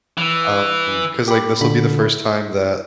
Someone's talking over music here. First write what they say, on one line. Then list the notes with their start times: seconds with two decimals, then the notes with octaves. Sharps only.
um, 'cause, like, this will be the first time that
0.18 E3
1.28 G4 B5
1.61 A#2 D3 B5
2.01 E4